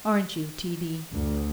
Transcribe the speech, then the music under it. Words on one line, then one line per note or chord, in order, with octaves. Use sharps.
Aren't you, T. D.?
D2